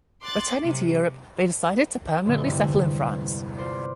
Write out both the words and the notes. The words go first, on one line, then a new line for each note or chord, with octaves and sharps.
Returning to Europe, they decided to permanently settle in France.
C6 D6 F#6 A6
C3 F#3
F#2 A#2 D3 B3
E2 G2 C3 G#3
F4 B4 C5 D5